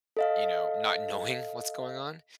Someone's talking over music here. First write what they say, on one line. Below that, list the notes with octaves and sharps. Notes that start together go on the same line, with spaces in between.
you know, not knowing what's going on
A4 D#5 F5